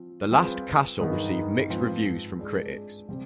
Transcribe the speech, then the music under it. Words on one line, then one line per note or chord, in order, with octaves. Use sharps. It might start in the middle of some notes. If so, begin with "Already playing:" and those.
"The Last Castle" received mixed reviews from critics.
Already playing: F3 C4 F4
G3 C4 F4 G#4 B4
G2 D#3 B3 D#4 G#4
G#2 F3 C4 F4 B4
G#3 D4 G#4
C3 G3 C4 G4